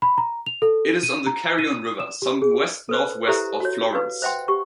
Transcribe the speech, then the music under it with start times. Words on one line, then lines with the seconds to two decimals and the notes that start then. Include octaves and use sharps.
It is on the Carrione River, some west-northwest of Florence.
0.02 B5
0.18 A#5
0.46 F7
0.62 A4
1.03 D#7
1.26 A#5
1.59 D#7
2.00 E7
2.22 G4
2.42 G#4
2.89 A4 B4 C5
3.27 E4 G4 A4 C5 E5 A#5
3.60 F#4 C#5
3.93 B4 F5
4.22 C5 E5 F#5 G5 C6
4.48 G4 C#6